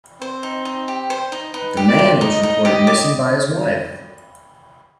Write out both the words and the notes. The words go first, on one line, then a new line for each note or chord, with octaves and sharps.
The man was reported missing by his wife.
C4 C5
D#4
D#4
G4
C5
D#4
D#4 B4
G4
D5
C5
D#4 D#5
D#4
G4
D6